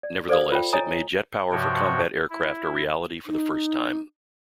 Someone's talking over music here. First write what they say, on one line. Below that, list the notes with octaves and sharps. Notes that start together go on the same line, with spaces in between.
Nevertheless, it made jet power for combat aircraft a reality for the first time.
D5
A4 C5 D5 F5 D#6
F4 G5
C#5 D#5 G#5 A#5 D#6
G2 C3 F3 F#4 C#5 G5
E4
D#4